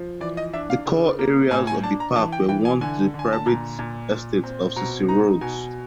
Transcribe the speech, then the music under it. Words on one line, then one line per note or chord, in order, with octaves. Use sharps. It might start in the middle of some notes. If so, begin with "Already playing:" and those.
The core areas of the park were once the private estate of Cecil Rhodes.
Already playing: F3
E3 D5
D#5
D4 E5
F5
C#3
A#3
A2 G#5
G#5
D4 A5
A#5
E3 A5
G5
E3 G5
G#5
D3 G#5
D3
G#5
A5
A#2 A#5
A#2
A#2
C4
B2 A#5
D#4 A#5
B2 G#5